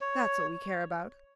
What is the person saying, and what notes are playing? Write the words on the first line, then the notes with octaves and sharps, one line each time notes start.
That's what we care about.
C#5